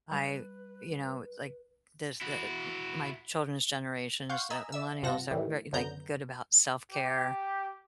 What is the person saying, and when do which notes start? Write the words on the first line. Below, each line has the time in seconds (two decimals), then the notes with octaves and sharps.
I you know, like, there's the m my children's generations, the millennials, are very, like, good about self-care,
0.11 G3 B4
2.21 E4 F#4
4.30 F5 F#5 C6 C#6 G6
4.50 D#5 G#5 A#5 E6 B6
4.72 D5 E5 E6
5.03 G2 C3 F4 F#5 A5 A#6
5.31 A2 D#3 E3 G3
5.73 F#2 D3 B3 A#5 G6
6.91 G4